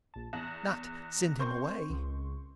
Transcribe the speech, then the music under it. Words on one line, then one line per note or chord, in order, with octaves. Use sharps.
"Not--send him away?"
A#1 A5
E2 F#6 A#6
C4 A#4 C6 C#6 G6
C#2